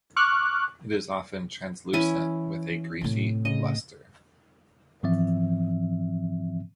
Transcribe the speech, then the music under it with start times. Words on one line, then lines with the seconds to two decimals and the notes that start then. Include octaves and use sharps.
It is often translucent with a greasy luster.
0.16 C#6 D6 F6 F#6
1.93 E3 C#4 E4 G#5
3.01 A2 C3
3.45 C#3 D#5
5.03 G#2 E3 F3 C4 E5